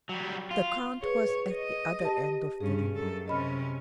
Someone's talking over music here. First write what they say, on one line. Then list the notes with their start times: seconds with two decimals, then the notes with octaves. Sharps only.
The count was at the other end of the room.
0.09 F#3 G3
0.51 F4
1.02 G#4 B4 C#5
1.53 D#5
2.00 G4 A5
2.61 G2 C#4 G#4
2.96 F#2 A4
3.28 C3 C#4 D#5 B5 F6